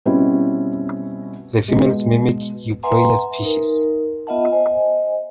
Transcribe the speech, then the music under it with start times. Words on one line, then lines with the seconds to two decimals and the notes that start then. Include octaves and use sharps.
The females mimic "Euploea" species.
0.06 B2 G3 C4 C#4 E4
1.68 B2 G#3
2.83 B4 E5 F#5 G#5 A#5 C6
3.43 D#4 A#4
4.27 B3 F4 D#5 E5 F#5 A5
4.52 C5 D#5 G#5